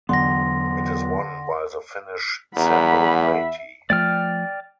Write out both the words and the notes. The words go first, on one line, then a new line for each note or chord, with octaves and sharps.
It is won by the Finnish Seppo Raty.
E2 D3 F#3 B3 C6 A#6
E2 F#5 A#5 B5
E5
F3 A3 D5 G5 F6